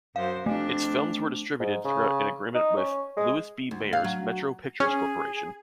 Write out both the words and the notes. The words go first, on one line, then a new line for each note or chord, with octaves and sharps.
Its films were distributed through an agreement with Louis B. Mayer's Metro Pictures Corporation.
F#2 C5 F5
F2 A3 D4
G#2
C#3
D#4
C#4
G#3
D2
F5
F#3
C#4 G#4